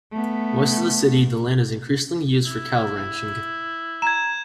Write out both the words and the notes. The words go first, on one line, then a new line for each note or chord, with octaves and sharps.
West of the city, the land is increasingly used for cattle ranching.
A3 B3
E4
A#5 G#6 E7